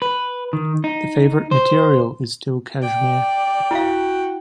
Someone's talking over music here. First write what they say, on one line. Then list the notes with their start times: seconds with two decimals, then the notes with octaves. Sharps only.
The favourite material is still cashmere.
0.02 B4
0.53 D#3
0.84 D#4
1.51 C5
2.82 D5 G5
3.71 E4 F#4 F5